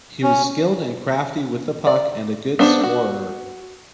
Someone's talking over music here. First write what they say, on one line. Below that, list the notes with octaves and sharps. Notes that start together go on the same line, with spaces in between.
He was skilled and crafty with the puck and a good scorer.
C#4
D5
B3 D4 C5
F#4